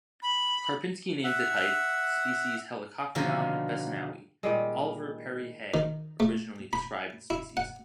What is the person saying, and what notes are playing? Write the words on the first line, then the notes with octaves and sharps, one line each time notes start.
Karpinsky named the type species "Helicoprion bessonowi"; Oliver Perry Hay originally described the species.
B5
E5 F#5
B2 D3 D#3 F3 A#3
A#2 D#3 G3 G#3
D#3
A3
B5
E4
F#5